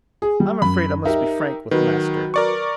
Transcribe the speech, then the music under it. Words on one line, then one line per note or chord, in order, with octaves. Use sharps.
"I'm afraid I must be frank with master."
G#4
G3
F#2 B5
D#4 G4 A#4 E5
D#3 F#3 F#4 B4
A#4 D5 C#6